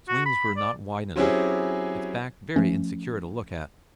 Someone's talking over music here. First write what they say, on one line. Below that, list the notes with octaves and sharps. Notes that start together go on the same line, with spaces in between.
Its wings were not wide enough, its back very insecure to look at.
F#4
B5
D5
F#3 C4 C#4 E4 G4 G#4
F3 A3 C#4